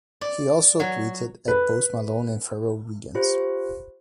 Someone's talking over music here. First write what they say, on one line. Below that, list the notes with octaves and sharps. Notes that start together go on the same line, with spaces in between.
He also tweeted at Post Malone and Pharrell Williams.
D5
F#3
B4
F4 G4 C5